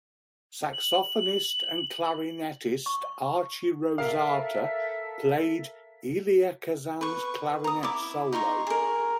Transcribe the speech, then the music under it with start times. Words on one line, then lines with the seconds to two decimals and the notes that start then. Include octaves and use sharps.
Saxophonist and clarinetist Archie Rosate played Elia Kazan's clarinet solos.
0.73 F#7
2.86 C#6
3.98 A4 A#4 E5 F5
7.01 B4 C#6
7.64 A#5 D#6
7.83 E4 D6
8.32 D#4 A#5 C6 C#6
8.67 G#4 A#4